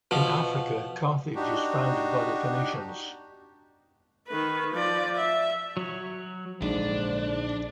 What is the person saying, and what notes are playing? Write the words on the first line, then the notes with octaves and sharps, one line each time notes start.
In Africa, Carthage is founded by the Phoenicians.
B2 F3
D4 D#4 F#4 G4
D#3 B4
F3 D5
E5
F#3 C#5
A#1 G#2 D3 D4 C5